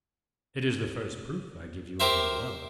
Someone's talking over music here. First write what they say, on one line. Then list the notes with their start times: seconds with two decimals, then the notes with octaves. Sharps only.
"It is the first proof I give you of my love."
2.00 G4 A#4 C5 E5